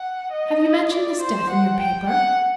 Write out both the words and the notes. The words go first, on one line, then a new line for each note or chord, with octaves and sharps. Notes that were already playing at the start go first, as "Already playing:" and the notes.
"Have you mentioned this death in your paper?"
Already playing: F#5
D#5
D5
C5
F#5
G5
F#5